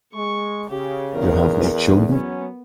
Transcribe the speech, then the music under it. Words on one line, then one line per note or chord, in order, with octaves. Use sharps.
You have no children.
G#3 C#6
C#3 G4
E2 A#4
F#3 B3 C#4